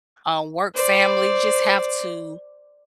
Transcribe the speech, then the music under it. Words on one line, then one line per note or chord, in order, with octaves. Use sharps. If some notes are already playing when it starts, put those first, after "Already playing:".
a work family, just have to
C5 D5